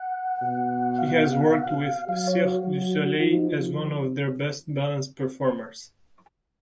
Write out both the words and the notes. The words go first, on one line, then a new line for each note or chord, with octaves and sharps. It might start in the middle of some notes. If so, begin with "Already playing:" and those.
He has worked with Cirque du Soleil as one of their best balance performers.
Already playing: F#5
B2
F5
F#5
F5
F#5
F5
F#5
F5
F#5
F5
F#3 F5
C#5
F#4
F#3
F3 F4
D#4